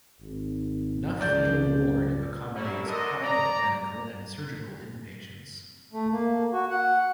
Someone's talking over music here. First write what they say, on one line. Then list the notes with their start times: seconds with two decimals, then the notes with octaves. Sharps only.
Nuffield ward accommodates private medical and surgical inpatients.
0.21 G#1
1.21 C#2 D5 G6
2.54 F#3 G3 A3 C#4 E4
2.86 F#3 D4 A4 A#4 C5 D#5
3.22 D5 A#5
5.93 A3
6.12 A#3
6.52 F#4
6.70 F#5